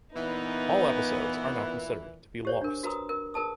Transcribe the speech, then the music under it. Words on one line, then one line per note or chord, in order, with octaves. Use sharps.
All episodes are now considered to be lost.
A#2 E3 B3 D#4 B4
G4 C5 C#5
D4 A#4
F#4 A#4 B4 A#5 D#6
A#4
G#4 A#4 B4 A5 D#6